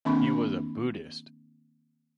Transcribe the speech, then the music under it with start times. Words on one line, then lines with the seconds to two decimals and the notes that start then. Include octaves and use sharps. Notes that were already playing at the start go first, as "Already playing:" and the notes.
He was a Buddhist.
0.05 D#3 A#3 C4 D4 B5